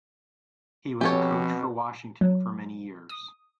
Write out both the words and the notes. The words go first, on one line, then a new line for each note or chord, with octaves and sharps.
He was a coach for Washington for many years.
B2 F3 C4 G4 A4 C#5 G#5
F#3
D#6